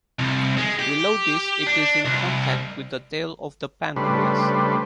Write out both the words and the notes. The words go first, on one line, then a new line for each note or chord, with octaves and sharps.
Below this it is in contact with the tail of the pancreas.
C2
G#3
G4
D4
C2
C#3 G3 A3 D4 B4 C5